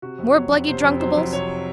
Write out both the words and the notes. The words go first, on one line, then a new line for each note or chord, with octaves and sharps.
More bluggy drunkables?
C3 F#4
F2
F#3 C#5
F2
C3 C5
F2
F#3 C5
F2
C3 C#5